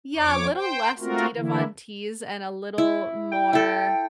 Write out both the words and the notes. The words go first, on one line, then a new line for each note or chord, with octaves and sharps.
Yeah, a little less Dita Von Teese and a little more
F2 C#5 D6
C5 G5
A3 C4 F4 F#4 A#4
D3 E3 A#3 E4
E4
G5
E4 A4